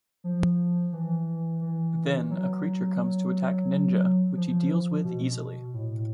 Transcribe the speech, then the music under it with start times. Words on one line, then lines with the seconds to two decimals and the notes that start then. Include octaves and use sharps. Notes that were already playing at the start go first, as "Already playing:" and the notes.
Then, a creature comes to attack Ninja which he deals with easily.
0.24 F3
0.92 E3
1.61 E3
2.30 F#3
4.36 F3
5.04 B2
5.74 A2